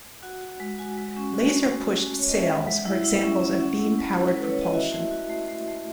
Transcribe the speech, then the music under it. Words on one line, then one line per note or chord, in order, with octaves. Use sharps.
Laser-pushed sails are examples of beam-powered propulsion.
F#4 F#5
F#4
G#3
F#4 G#5
G#3
C#4
F#4
A3
A3
F#4
A3
C#5
C#4 D#5
E5
G#3 F#5
G#3
E4
E4
C#4
C#4
C#4 F#5
E4
G#3
E4
A4
G#3 B4
C#5
E4
D#5
F#4 E5
A3
F#4
A3
A3
A3